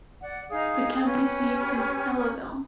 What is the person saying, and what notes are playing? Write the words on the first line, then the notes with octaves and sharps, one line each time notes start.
The county seat is Ellaville.
D5 F#5
D#4 G#4 F5 D#6
C#4 G4 B4 G#5